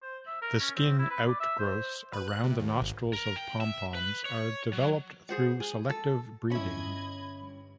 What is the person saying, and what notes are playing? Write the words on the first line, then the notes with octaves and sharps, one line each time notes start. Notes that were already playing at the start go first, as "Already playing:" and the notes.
These skin outgrowths around the nostrils of pompoms are developed through selective breeding.
C5
E5
A#4
C#4
C4
E4
B4
D5
E5
C5
B4
F#6
C3
D#2
G#1
A#4
G5
E5
B4
C#5
F#3
G#4 C5 F#5
G#4
A4
G1 C#4 E4 D#5 B5 G#6
G2